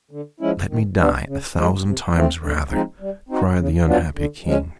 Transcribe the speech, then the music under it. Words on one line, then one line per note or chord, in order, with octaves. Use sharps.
"Let me die a thousand times rather," cried the unhappy King.
D3
F3 G#3 C#4 E4
D#3
G3 B3 D4
C#3
F3 G#3
C3
F3 A3 C4
D3
F3 G#3 C4 D#4
G3
C4 D#4 F#4
C#3
F#3 B3 D4 F4
D3
F3 G#3 C#4